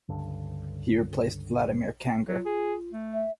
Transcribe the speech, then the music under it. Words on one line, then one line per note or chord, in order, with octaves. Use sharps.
He replaced Vladimir Kangur.
C#2 G2 D3
F#3 F4
G#4
A3
E5